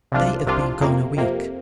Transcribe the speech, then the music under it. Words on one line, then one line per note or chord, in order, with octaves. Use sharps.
'They have been gone a week.
C2 C3 F3 D4 F4
C2 C3 F3 D4 F4
F2 C3 A#3
F2 C3 A#3